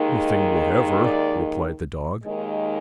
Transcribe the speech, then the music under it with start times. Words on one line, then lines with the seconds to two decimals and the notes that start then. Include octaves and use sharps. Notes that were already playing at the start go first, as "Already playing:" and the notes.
"Nothing whatever," replied the dog.
Already playing: D#2 D#3 G#3
1.01 D5
2.24 D#2 D#3 G#3